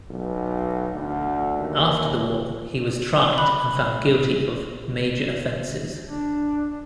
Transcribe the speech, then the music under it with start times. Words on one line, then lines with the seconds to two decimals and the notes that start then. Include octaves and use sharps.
After the war, he was tried and found guilty of "major offenses".
0.11 B1
0.93 D2
1.59 D#2
3.38 B5 F#6 F#7
6.07 D4